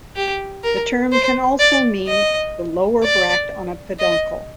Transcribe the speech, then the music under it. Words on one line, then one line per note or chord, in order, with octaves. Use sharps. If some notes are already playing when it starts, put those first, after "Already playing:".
The term can also mean the lower bract on a peduncle.
G4
A#4
C5
D5
D#5
D5
D#5